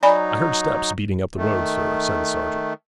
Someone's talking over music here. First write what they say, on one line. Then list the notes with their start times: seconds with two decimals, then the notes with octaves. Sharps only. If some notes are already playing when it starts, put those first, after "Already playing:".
'I heard steps beating up the road, sir,' said the sergeant.
0.03 F#3 D#4 D5 G#5 B5
1.37 D#3 A3